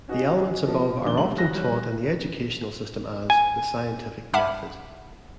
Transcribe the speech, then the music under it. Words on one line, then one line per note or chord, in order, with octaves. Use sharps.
The elements above are often taught in the educational system as "the scientific method".
C#4 D#4 F#4 G#4 A#4 D#5
F3 F#4 A#4 D#5 A5
D#1 F2 D#3 D4 G7
C2 A3 F#7
F2 F#4 F#6 A#6
G3 C#5 F#6
G#5
E5 F#5 A5 B5 D6 F6